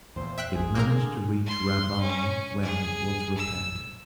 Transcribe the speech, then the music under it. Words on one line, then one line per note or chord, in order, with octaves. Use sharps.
It managed to reach Rabaul, where it was repaired.
E2 A#2 C5
E5 G5 F#6
A#1 G#4
A#3 C4 A#4
A#2 D3 G#4
C6
C#4
G#4
E6